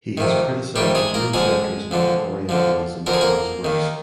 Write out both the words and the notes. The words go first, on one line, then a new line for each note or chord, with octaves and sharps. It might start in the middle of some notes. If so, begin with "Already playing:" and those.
He has criticized Eurocentrism and Orientalism in his works.
F2 C3 D#3
F2 C3 D#3 G3 G4
G#3 G#4
A#3 A#4
F2 D3 F3 G#3 G#4
F2 D3 F3
F2 D3 F3
F2 D3 F3 A#4
G#4
A#3 A#4
D#2 D#3